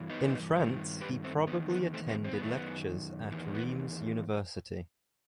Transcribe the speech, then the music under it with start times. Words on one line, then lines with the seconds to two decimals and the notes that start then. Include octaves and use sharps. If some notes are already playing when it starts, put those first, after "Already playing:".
In France he probably attended lectures at Rheims University.
Already playing: G2 E3
0.09 B3 D#4
0.55 G2 D#3
1.01 G4 B4
1.24 A3 C4
1.47 E2 D#3 B3
1.70 B3
1.94 A3 C4
2.08 A3 C4
2.24 C4
2.33 B3
2.40 F#2 D#3 A3
2.53 B3
3.32 E2 D#3
3.55 B3